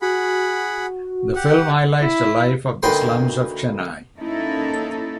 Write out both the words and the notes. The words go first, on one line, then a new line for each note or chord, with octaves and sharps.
The film highlights the life in the slums of Chennai.
F#4 G#4 F#5 B5
G4 F#5
E4
D2 D#3 A#3 B4 G5 C6
A#3 C#4 D#4 E4 A4